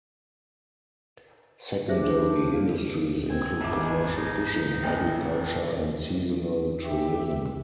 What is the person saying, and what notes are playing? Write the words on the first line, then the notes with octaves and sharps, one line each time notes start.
Secondary industries include commercial fishing, agriculture and seasonal tourism.
D4 G4 G#4 C5 E5
E2 A#3
C4 G#5
G#1 A3 E5 D6
D#3 G#3
D#4
A1 D#2 C3 E3
G4 E5